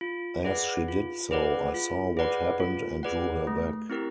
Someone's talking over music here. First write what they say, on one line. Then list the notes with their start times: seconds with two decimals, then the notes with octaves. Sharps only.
As she did so, I saw what happened and drew her back.
0.01 F4
0.45 G#4 B4 D5 F#5
0.88 F4
1.31 G#4 B4 D5 F#5
1.74 F4
2.17 G#4 B4 D5 F#5
2.60 F4
3.03 G#4 B4 D5 F#5
3.47 A3
3.90 C4 E4 G4 A#4